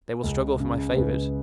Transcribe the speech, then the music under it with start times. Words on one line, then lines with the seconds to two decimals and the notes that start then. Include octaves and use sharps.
They will struggle for my favors.
0.23 C#2
0.60 C#3
0.96 C#2 B4